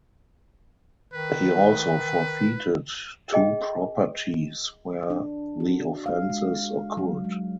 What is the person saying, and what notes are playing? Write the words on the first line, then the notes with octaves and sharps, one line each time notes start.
He also forfeited two properties where the offences occurred.
D#3 B4
G#4 D#5 G5
D4
F#4
F5
G#3
F#3
G#3